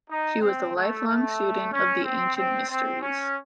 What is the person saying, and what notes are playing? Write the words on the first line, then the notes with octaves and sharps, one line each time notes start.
She was a lifelong student of the ancient mysteries.
D#4
C4
A3
A3
C#4
C4
C4
C4
C#4